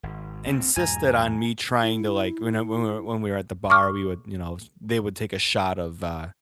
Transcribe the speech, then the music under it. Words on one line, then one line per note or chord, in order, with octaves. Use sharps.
insisted on me trying to, like, whene whe when we were at the bar, we would, you know they would take a shot of uh,
G#1
D2 C4
E2 G#2 B2 G#5 A#5
E4
C#6 D6 F6